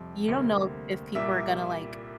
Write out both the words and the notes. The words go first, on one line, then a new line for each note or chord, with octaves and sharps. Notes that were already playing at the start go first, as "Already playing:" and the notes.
You don't know if people are gonna, like,
Already playing: F2 C3 G3
D2 C3 G3 A#3
C2 A#2 G3 E5